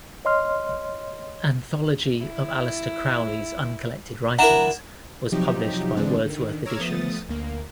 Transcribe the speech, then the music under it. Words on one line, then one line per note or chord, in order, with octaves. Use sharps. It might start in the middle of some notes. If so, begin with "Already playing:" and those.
Anthology of Aleister Crowley's uncollected writings was published by Wordsworth Editions.
C#5 D#5 C6 F6
E4
D4 E4 A#4 F#5 A#5 E7
C3 F3 F#3 D#4 G4
D3 E3 G#3 C4 D4
D3 D#3
C#5 A#5 D6 E6 F6 G#6
F3 A3 B3 D#6 A6
D2 A#3